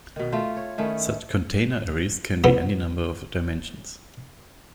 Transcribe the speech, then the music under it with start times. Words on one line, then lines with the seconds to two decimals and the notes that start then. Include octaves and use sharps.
Such "container" arrays can be any number of dimensions.
0.16 B2 D#3
0.32 A3 F4 C5
0.57 C#5
0.78 D#3 A3 C#4 E4
2.44 C#2 G#2 B3